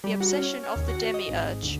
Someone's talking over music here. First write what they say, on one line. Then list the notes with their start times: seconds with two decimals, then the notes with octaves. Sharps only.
The Obsession of the Demiurge.
0.04 G3
0.20 F#4
0.33 C#4
0.47 C#4
0.63 C#4
0.76 D#2
0.88 F#4
1.14 D#5
1.28 G#1
1.44 G#1
1.63 D2